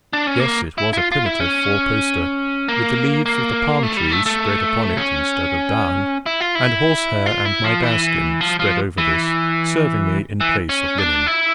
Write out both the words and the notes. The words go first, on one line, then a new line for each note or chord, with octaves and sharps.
Yes, it was a primitive four-poster, with the leaves of the palm-tree spread upon it instead of down, and horsehair and my bearskin spread over this serving me in place of linen.
D4
C#4
A#3
E4
E4
F4
F4
E4
C#4
A#3
A#3
A3
G3
A3
A3
C#4
E4
F4
E4
F4
E4
F3
E3
F3
F3
E3
E3
C#4
D4
E4